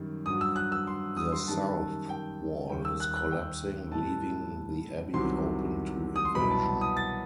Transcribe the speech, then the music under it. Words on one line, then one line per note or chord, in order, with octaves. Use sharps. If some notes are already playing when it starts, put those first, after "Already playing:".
The south wall is collapsing, leaving the Abbey open to invasion.
Already playing: F#2 D#3 G3
G2 F#3 D#6
E6
F#6
E6
C6
D#6
C6
F#2 D#3 G3 A5
G5
D#2 D#3 G3 G5
E6
F#6
F#6
G5
A2 G3 A5
C2 C3 D#3 F#3 C6
D#6
C6
C2 B2 F#3 B5
A5
D#6
A6